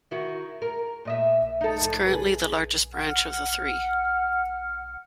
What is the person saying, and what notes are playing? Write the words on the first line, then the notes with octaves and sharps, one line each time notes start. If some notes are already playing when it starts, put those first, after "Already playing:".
It is currently the largest branch of the three.
D#3 E4 F#4
A#4
A#2 D#5 E5
D#4 A4
F2 G#2
C#3 G#4 B4
F#5 F6